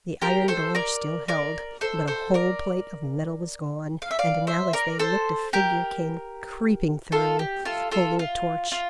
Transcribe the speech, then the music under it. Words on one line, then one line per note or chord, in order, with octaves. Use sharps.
The iron door still held, but a whole plate of metal was gone, and now as they looked a figure came creeping through, holding a torch.
G4 A#4
A4 C5
A#4 D5
A#4 D5
A4 C5
A4 C5
A#4 D5
F5
E5
D5 F5
C5 E5
A#4 D5
A4 C5
G4 A#4
F4 A4
G4
F4 A4
F4 A4
F4
F4